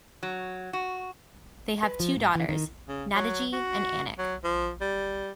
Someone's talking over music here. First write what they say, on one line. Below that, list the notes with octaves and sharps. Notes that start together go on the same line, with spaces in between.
They have two daughters, Nadege and Anik.
F#3
F#4
B4
F3
G#2
E3
D#3
C#3
F#3
F#4
F#3
F3
G3